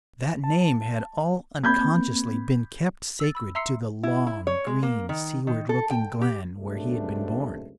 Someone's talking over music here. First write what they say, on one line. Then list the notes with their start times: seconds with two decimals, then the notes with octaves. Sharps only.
That name had all unconsciously been kept sacred to the long, green, seaward-looking glen where he had been born.
0.44 A5
1.64 A#3 C4 B5 G6 G#6
3.20 E6 A6
3.35 B5 E6
3.55 E5 A#5 C6 E6 C7 C#7
4.03 E4
4.27 E4
4.47 C#5
4.67 G#3
4.83 A#3
5.09 D#3
5.47 D#3
5.69 A4
5.90 G5
6.21 G4
6.58 C#2 F#2 C3 A3 D4